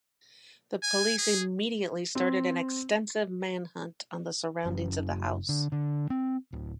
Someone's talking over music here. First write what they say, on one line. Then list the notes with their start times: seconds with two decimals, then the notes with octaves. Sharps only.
The police immediately started an extensive manhunt on the surroundings of the house.
0.83 G#5
1.19 G#4
2.15 C4
4.65 F#1
5.49 D3
5.72 D3
6.10 C4
6.53 D1